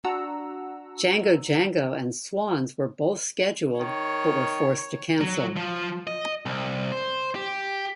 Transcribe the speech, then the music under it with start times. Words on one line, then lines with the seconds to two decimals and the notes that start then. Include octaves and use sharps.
Django Django and Swans were both scheduled but were forced to cancel.
0.04 D4 F#4 F#5 A#5 E6
3.79 D#3 C#5
5.21 F#3
5.57 F3
6.07 D#5
6.46 C2
6.92 C5
7.35 G4